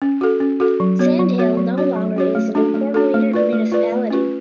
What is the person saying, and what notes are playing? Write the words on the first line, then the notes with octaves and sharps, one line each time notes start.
Sand Hill no longer is an incorporated municipality.
C#4
F#4 A4
C#4
F#4 A4
F#3
B3 F#4 C#5
F#3
B3 F#4 C#5
F#3
C#4 F#4 C#5
F#3
C#4 F#4 C#5
A3
D4 F#4 A4
A3
D4 F#4 A4
A3
F4 B4 D5
A3
F4 B4 D5
A3
C#4 F4 B4